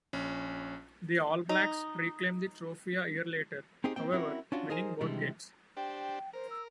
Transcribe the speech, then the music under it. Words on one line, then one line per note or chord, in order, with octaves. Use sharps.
The All Blacks reclaimed the trophy a year later, however, winning both games.
A#1 C#4
D#4
C4 D#4 G4 G#4
A#3 C4 G5
C4 C#4 E4 F#4 A#4
C#4 D4 F4 F#4
D#4 G#4 A#4 C5 G#5
C3 D#3 E3 G3 G#3 D4
D4 G4 C5 G5
A#4 C5
E6